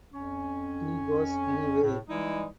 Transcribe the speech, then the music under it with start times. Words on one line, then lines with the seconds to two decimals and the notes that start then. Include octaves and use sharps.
He goes anyway.
0.13 F2 C#4
1.82 A2
2.09 E3 G3 G#3 D#4 E4